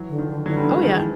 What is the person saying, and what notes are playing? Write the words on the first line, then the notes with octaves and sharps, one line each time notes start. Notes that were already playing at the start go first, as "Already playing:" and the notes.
Oh, yeah,
Already playing: E3 F#3
D3
D#3 F3
D3
D3 E3 F#3
G3
E3 F#3
G#3
D#3 F3
E3